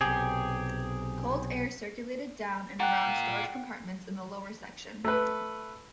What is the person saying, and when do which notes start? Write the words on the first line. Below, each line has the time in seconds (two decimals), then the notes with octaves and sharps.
Cold air circulated down and around storage compartments in the lower section.
0.01 B1 C3 G4 G#4
2.80 F4 A#4 F#5 G5 F#6
5.04 A3 B4